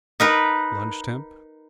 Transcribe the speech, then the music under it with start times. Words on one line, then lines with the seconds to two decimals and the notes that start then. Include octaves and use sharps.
Lunch Temp.
0.20 D#4 A#4 B4